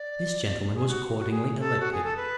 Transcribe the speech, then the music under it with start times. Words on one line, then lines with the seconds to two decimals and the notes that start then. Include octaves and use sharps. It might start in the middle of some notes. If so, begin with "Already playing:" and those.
This gentleman was accordingly elected.
Already playing: D5
0.74 G#4
0.87 F#4
1.17 F#4
1.30 G#4
1.59 A4
1.79 F#4
1.91 G#4
2.04 A4
2.16 B4